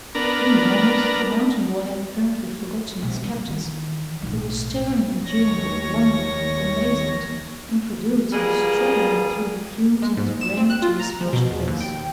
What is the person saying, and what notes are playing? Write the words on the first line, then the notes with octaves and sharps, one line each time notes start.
In the moment, the mountain boy had apparently forgotten his captors--he was staring at June with wonder, amazement, incredulity struggling through the fumes in his brain to his flushed face.
B3 D4 A#4
B1 C3
G3 C4
D#3 E3
B1 A2
D#2 C#5 A#6
G3 A#3 B3 F4 G#4
G#3
G#2
E7
C4
F#6
F4
A#5
F3
B2
E2
D#2
G5